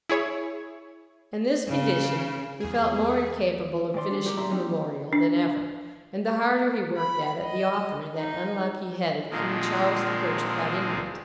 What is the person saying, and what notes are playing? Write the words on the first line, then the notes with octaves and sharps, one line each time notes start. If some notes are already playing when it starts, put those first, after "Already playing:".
In this condition, he felt more incapable of finishing the Memorial than ever; and the harder he worked at it, the oftener that unlucky head of King Charles the First got into it.
E4 G#4 C#5
C#3
E2 G#4
G#2 D#3 D5 C6
D4 G#4
D3 G4 A#4
A#2 E4 D5 E5 A#5 C6
F#3 G3 A#3 C4 D4 D#4
D4
B5
D#5
D#4
A#2 D3 D#3 F3 G#3 C4